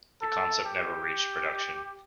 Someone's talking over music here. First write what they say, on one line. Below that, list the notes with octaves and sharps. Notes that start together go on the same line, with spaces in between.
The concept never reached production.
A4
G4